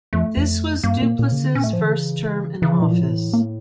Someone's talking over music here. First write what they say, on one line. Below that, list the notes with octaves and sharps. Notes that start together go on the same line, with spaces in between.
This was Duplessis's first term in office.
F2 A3
F2
G2 A#3
A2
A#2
A#2
C#3
D3
A#2 C#4
A3
A2
F3
D3 E3
C#3
C#3 E3
F3
A#2 E3
F3
A2 E3
A#3